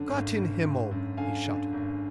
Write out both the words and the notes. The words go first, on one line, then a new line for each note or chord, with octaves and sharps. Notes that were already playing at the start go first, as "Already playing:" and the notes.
"Gott in Himmel!" he shouted.
Already playing: F#2 D3
G#1
G#1
G#1
F#2
D3 F5 G#5
D3
G#1